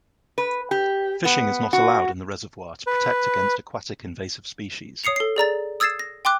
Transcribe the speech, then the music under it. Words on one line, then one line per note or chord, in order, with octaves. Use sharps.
Fishing is not allowed in the reservoir to protect against aquatic invasive species.
B4
G4
B3
F#4
B4
C#5 D#6 C7 C#7 F7
A4 C7
G#4 D5 A#5 A6
D#6 E6 G#6 A6 C7 E7
A#6
G5 C6 D6 F#6